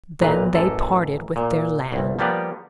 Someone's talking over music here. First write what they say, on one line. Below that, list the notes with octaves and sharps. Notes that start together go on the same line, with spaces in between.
Then they parted with their land.
B1 A#2 B4 A#5
A1 F#2 A4
A#2
G1 C2
F3 G3 A#3 B3 G4 D5